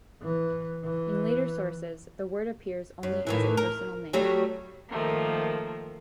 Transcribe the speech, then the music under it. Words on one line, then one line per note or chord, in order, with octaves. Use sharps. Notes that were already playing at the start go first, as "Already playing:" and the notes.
In later sources the word appears only as a personal name.
E3
E3
F#2
A2 D#3 E3
A#4
F#3 G3 A3
D#3 F3 A3 A#3